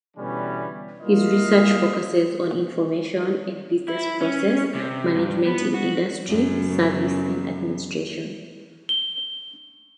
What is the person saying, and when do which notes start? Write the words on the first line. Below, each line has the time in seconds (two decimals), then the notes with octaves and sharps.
His research focuses on information and business process management in industry, services and administration.
0.17 B2 D3 E3 G3 C#4 B4
1.01 G3 A#3 E4 F4 D#5 F5
3.88 E4
4.21 C#4
4.75 C3
5.15 G2
5.46 B3
5.74 F#4
6.29 F#2 C#3 B3
8.89 G7